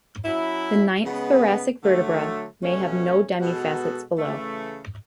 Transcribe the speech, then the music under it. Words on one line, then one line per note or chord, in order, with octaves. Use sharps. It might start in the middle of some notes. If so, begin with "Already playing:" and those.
The ninth thoracic vertebra may have no demi-facets below.
F#3 C#4 E4
C#3 G#3 B3
D3 F#3 A3
B2 A3 C#4
B2 G#3 B3 F#4 A4
C#3 E3 A3